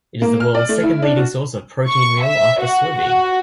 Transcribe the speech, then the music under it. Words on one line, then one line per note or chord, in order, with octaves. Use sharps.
It is the world's second-leading source of protein meal after soybean.
A#3
F6
D5
A3
E4
D4
F#4
C#6
E5
F#4
F#4